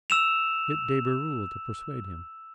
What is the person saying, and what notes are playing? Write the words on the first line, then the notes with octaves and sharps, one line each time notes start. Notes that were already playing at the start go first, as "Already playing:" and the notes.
Get de Berulle to persuade him.
E6 E7 F7